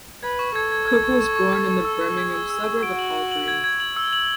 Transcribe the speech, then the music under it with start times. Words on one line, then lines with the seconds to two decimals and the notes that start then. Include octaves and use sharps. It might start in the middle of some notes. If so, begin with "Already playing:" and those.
Cooke was born in the Birmingham suburb of Hall Green.
0.23 B4 G#6
0.39 C#6
0.55 A4 G#6
0.72 G#6
0.88 G#6
1.04 C#6
1.21 C#6
1.36 C#6
1.53 G#6
1.69 C#6
1.85 E6
2.01 C#6
2.18 G#4 G#6
2.34 E6
2.50 E6
2.66 C#6
2.82 F#4 D7
2.99 F#7
3.15 F#7
3.32 F#7
3.48 G#6
3.64 G#6
3.80 F#7
3.96 E6
4.13 F#7